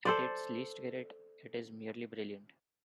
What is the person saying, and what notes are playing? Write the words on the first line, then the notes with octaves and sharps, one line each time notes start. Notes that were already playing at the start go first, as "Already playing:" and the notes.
At its least great, it is merely brilliant...
A4 C5 D5